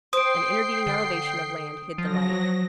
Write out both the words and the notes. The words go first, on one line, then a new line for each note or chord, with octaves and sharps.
An intervening elevation of land hid the light.
C5 G5 D#6 C7 D7
D3
F3 F#3 A#6